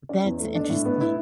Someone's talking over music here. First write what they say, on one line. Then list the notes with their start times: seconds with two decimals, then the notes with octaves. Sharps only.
That's interesting,
0.09 C#4 D5
0.24 E2
0.40 A3
0.55 D4
0.70 A2
0.85 B3
1.01 E4